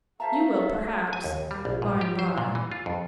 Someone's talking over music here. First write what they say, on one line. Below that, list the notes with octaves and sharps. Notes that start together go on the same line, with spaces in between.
You will, perhaps--bye and bye.
F#4 A4 C5 E5 F5 A5 A#5
G#5
D#2
G3
A#1
G#2
G4
C5
A#2
E3
F4
F2